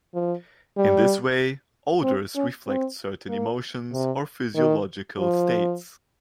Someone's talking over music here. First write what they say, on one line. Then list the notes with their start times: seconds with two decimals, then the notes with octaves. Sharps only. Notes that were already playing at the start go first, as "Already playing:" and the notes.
In this way odors reflect certain emotions or physiological states.
0.14 F3
0.77 G3
2.03 C4
2.35 C#4
2.67 C4
3.29 A#3
3.92 C3
4.56 D#3
5.18 F3